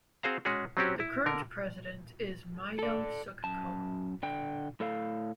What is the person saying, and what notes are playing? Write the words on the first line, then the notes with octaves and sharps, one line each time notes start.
The current president is Myeung-sook Koh.
C4 F#4 G#4 C5 F5 A#5
G#3 C#4 F#4 G#4
F#3 C4 C#4 F#4 G4
E4
D3 A#4
A4 D5
F#2 A5
D3 G5
A2 A4 F5